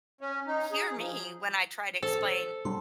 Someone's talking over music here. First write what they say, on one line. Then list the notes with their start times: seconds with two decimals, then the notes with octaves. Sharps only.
hear me when I try to explain
0.21 C#4
0.47 D#4
0.71 G#4
0.97 F3
2.03 A4 C5
2.65 F#3 G3 D4 C6